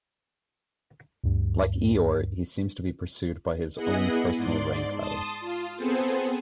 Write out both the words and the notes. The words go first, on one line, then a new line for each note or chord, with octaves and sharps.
Like Eeyore, he seems to be pursued by his own personal raincloud.
D2 G2
B3 E4 G#4 D#5 F#5
G#2 D5 C6
A5 C6 D#6
F4
B3 C4 G#4 A4 C5